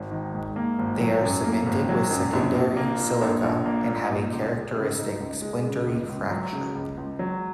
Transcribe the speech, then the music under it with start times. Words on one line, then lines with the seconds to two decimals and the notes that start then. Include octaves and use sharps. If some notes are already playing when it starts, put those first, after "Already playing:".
They are cemented with secondary silica and have a characteristic splintery fracture.
Already playing: G#1
0.11 D#3
0.34 G#2
0.56 A#3
0.79 G#1
1.01 F#3
1.22 F#2
1.44 A#3
1.66 G#1
1.89 F#3
2.11 F#2
2.33 A#1
2.54 A#1
2.77 A#3
2.99 A#2
3.21 A#1
3.43 A#1
3.66 A#3
3.87 A#2
4.09 D#4
4.32 C#2
4.54 G#3
4.76 C#3
4.98 D#4
5.20 C#2
5.42 G#3
5.65 C#3
5.86 C#2
6.08 C#2
6.31 F#3
6.53 C#3
6.75 C#2
6.97 C#2
7.19 F#3